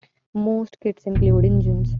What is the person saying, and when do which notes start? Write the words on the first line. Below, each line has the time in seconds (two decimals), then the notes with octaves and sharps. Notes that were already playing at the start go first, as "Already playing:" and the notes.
Most kits include engines.
1.15 E1 A#2